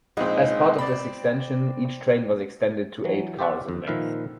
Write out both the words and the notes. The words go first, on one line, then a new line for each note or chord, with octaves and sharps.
As part of this extension, each train was extended to eight cars in length.
A#1 G#3 C4 D#4 G#4
C4 D5 B5
E3 F#3
G4 C5 D5 E5 F#5
F2
A#2 D#3 F3 B4 E5 F5